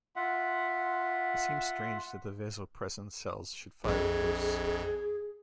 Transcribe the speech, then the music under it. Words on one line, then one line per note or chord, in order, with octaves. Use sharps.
It seemed strange that the vasopressin cells should fire in bursts.
F4 E5 F#5
A#1 F2 G#4